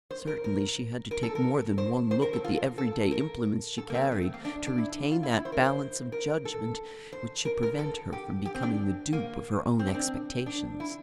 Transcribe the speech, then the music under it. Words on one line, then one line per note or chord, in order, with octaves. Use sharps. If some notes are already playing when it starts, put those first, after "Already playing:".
Certainly she had to take more than one look at the every-day implements she carried to retain that balance of judgment which should prevent her from becoming the dupe of her own expectations.
C5
A#4
A#4
A#4
A4
A#4
C5
C5
A#4
A4
F4
A4
A#4
A4
A#3
C4
A3
A3
A#3
D4
D4
E4
F4
E4
E4
C5
A#4
C5
A#4
A4
C5
A#4
A#4
A4
G4
G4
C4
D4
A#3
C4
D4
C4
D4
E4